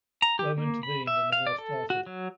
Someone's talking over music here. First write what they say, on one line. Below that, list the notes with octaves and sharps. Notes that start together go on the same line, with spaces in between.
Rome intervened and the war started.
A#5
G4
A#3
B5
E5
F5
D5
A4
F#4
F#3